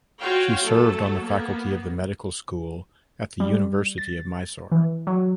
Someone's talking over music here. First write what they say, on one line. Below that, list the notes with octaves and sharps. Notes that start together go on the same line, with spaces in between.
She served on the faculty of the medical school at the University of Mysore.
F4 F#4 C#5 F5 G5
F#3 A3 A4
A#3 B3
G3
A6
E3
F#3